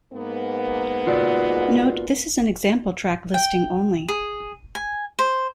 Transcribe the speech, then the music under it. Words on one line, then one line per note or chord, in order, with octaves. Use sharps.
Note, this is an example track listing only.
G#2 A#3 B3
F4 F#4 D5
G5
G#4
G#5
C5